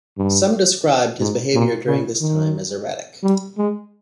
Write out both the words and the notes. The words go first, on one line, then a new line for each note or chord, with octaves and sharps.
Some described his behaviour during this time as erratic.
G2
G#2
A#2
C#3
D#3
G3
G#3